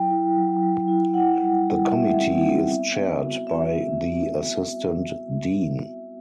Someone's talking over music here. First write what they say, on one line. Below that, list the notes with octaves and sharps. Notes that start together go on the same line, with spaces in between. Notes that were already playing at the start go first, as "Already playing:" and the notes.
The committee is chaired by the Assistant Dean.
Already playing: F#3 E4 G5
E4
F#3
F#3
E4
E4 F#5
G3
G3
G3 E5
C4
C4
B3
B3
F#4
B3 E5